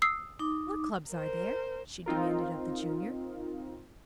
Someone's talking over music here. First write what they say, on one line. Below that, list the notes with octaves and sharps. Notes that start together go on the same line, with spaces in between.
"What clubs are there?" she demanded of the Junior.
D#6 E6 C7
D#4 D6
A#4 C5
C4 D#4 F4 A#4